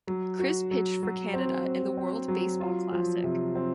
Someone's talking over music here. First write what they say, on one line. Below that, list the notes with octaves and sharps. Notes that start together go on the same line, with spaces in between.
Chris pitched for Canada in the World Baseball Classic.
F#3
F#4
F#3
F#3
C4
C4
C4
F#3
F4
F3
C3
C4